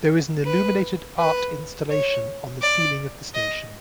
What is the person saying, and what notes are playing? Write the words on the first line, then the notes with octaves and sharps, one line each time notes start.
There is an illuminated art installation on the ceiling of the station.
B4
B4
C#5
D5
D#5